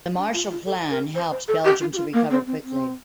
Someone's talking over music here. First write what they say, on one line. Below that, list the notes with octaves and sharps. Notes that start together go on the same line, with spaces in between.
The Marshall Plan, helped Belgium to recover quickly.
D4
F4
F4
A4
A#4
C5
C5
A4
G4
F4
G4
F4
A#3
C4
C4
C4